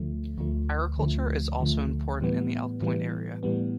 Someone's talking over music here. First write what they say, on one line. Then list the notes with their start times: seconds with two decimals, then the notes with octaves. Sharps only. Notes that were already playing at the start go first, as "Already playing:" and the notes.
Agriculture is also important in the Elk Point area.
Already playing: D2 D3 F3 A3
0.38 D2 D3 F3 A3
0.98 D2 D3 F3 A3
1.60 D2 D3 F3 A3
2.21 A2 E3 G3 B3
2.81 A2 E3 G3 B3
3.43 A2 E3 G3 B3